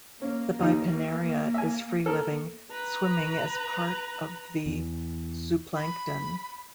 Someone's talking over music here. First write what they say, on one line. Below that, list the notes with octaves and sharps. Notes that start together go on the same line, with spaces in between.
The bipinnaria is free-living, swimming as part of the zooplankton.
A#3 C#4
D#2 D#4
E5 G#5
A4 A#4
B4 A#5
E2
B5